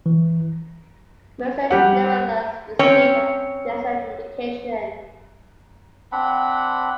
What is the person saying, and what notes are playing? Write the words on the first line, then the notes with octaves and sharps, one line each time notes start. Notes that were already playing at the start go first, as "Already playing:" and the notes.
Mercier nevertheless received a decent education.
E3
G3 G4 F#5
C4 C#4 C#5 G5
C4 D4 F#5 B5